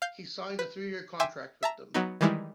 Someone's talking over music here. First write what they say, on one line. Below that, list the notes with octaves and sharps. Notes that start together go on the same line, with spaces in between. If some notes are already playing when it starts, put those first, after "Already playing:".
He signed a three-year contract with them.
F5 G6
B4
E5 G5 G#5 C6 D6
E5 A5 A#5
F#3 B3 D#4
D#3 E3 G3 G#3 E4